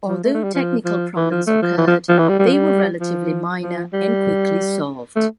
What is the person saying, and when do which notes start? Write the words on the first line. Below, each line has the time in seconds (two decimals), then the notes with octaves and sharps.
Although technical problems occurred, they were relatively minor and quickly solved.
0.08 F3
0.24 A3
0.34 A3
0.44 G3
0.54 F3
0.85 F3
1.16 E3
1.31 F3
1.47 A3
1.62 F3
1.78 E3
1.88 F3
2.09 F3
2.19 E3
2.29 G3
2.39 G3
2.47 F3
2.53 G3
3.00 F3
3.62 F3
3.93 G3
5.16 A3